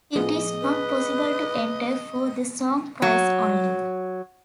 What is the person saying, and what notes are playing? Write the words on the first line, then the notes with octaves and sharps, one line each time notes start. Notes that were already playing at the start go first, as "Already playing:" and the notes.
It is not possible to enter for the "Song Prize" only.
A2 F3 B3 G#4 D#5
B4
F#3